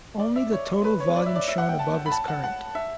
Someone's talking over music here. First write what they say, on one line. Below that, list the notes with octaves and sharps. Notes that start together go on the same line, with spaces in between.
Only the total volume shown above is current.
D5
E5
C#5
B4
C#5
D5
E5
D5
E5
F#5
G5
A5
B5
A5
F#5
F#5
E5